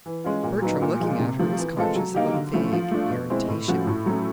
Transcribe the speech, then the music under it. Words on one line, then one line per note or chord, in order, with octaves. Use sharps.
Bertram, looking at her, was conscious of a vague irritation.
E3
G#3 C#4 F4
A#2
F#3 B3 D#4
A#2
F3 G#3
C3
F3 A3
E3
G#3 C4 F4 A4
F#3
A#3 D#4 G4
D3
F3 A3 C#4 E4
F3
A3 D4
B2
G#3 C4 E4
A2
F3 A3 C#4 F#4
A2
F#3 A3 C#4